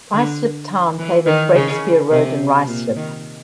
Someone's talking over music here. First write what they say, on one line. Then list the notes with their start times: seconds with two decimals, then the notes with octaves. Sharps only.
Ruislip Town played at Breakspear Road in Ruislip.
0.14 D3
0.99 E3
1.26 D#3
1.54 C#3
2.10 C3
2.68 A#2
2.96 D#3